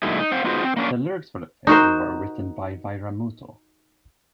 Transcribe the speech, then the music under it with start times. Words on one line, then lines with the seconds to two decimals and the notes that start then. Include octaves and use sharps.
The lyrics for the film were written by Vairamuthu.
0.03 A#2 D3 F#3 G#3 D#4 E4
0.19 D#4
0.32 C4 C5 F5 F#5
0.44 B3 D#4 F4 F#4 G#4 C5
0.64 C4
0.77 A#3 C#4 D4
1.67 D#4 F#4 A#4 C5